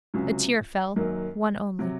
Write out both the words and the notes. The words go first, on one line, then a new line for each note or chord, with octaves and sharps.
A tear fell: one only.
C#2 C3 F#3 C#4 F#4
F#2 D#3 F#3 A#3
C3 F#3